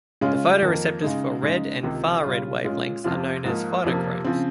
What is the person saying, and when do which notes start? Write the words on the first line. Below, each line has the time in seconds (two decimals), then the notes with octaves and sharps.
The photoreceptors for red and far-red wavelengths are known as phytochromes.
0.21 C#3 G#3 C#4 F4
0.62 F2 D#3 A#3
1.02 C#3 G#3 D#4
1.43 C#3 G#3 D#4
1.83 C#2 C3 D#3
2.23 C#3 G3 C#4 F4
2.64 A#2 G#3 C#4 F4
3.04 F2 C3 F3 C4 F4
3.44 G#2 F3 A#3
3.84 F2 C3 F3 A#3
4.24 C#3 F3 C4